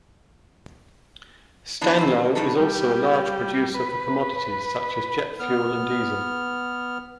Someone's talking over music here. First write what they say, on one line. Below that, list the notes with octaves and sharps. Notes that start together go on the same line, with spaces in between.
Stanlow is also a large producer for commodities such as jet fuel and diesel.
E3 B3 D4
G3 C4
G2 C#3 G3 D4 D#4 A4
G3
B4
B3 F6